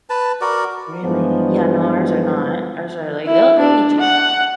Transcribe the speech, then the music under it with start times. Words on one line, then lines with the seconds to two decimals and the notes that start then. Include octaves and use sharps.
Really? Yeah, no, ours are not. Ours are like they'll they'll eat you.
0.10 B4 A5
0.41 F#4 A#4 D5
1.02 G2 E3 F3 G#3 B3
3.26 E4
3.59 D4
4.00 F#5